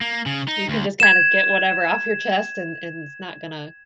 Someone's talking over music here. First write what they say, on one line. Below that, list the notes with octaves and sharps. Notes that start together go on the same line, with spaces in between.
you can just kind of get whatever off your chest and and it's not gonna
A#3
C#3
D#4
D2
G#6 E7